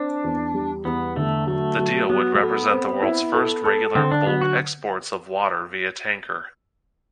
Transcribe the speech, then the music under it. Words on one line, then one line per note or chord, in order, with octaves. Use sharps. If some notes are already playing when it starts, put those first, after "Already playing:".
The deal would represent the world's first regular, bulk exports of water via tanker.
Already playing: C4 D4
E2
G3
E2 B3
D3 A3
F#3 A3
F#3
F#3 B3
A3
B3 A4
C4
E4
A4
A4
D3 C4
D4
F#3 B3
F#4